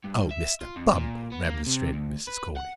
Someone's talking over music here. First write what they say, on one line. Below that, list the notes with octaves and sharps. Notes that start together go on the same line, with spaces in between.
'Oh, Mr. Bumble!' remonstrated Mrs. Corney.
G2
E5
F4
F2
A#2
B3
A#3
C3
D2
B4
F#5